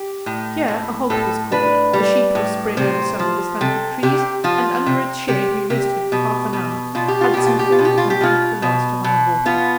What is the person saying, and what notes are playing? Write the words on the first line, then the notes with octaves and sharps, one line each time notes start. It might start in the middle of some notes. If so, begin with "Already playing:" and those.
Here a halt was called; a sheet was spread over some of the stunted trees, and under its shade we rested for half an hour, had some food, and drank the last of our water.
Already playing: G4
A2
A2
A2 A4
D4 B4
G3
A2
C3 C5
F3
C3 A4
C3 G4
F3 F4
C3
C3 G4
C3 G4
B2
B2
B2 F4
G4
F4
B2 G4
F4
G4
F4
B2
G4
F4
G4
B2 F4
B2
B2
B3 F4